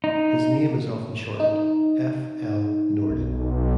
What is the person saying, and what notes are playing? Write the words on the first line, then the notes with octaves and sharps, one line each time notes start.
His name is often shortened "F. L. Norden".
D#4
D#4
B1